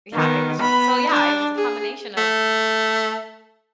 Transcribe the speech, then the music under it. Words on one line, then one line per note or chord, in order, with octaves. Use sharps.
yeah, it was just so yeah, it was a combination of
D#3 B3
B3 B5
D4
G#4
A3